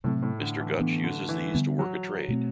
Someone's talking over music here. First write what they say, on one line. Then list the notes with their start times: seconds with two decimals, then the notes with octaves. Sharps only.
Mr. Gutch uses these to work a trade.
0.04 A2 C3 F#3 A3 C4
0.22 A2
0.41 D3
0.60 E3
0.79 E3 B3 D4
1.04 D3
1.29 E3
1.55 D3 G3 B3
1.79 F#3
2.28 B2 A3 C4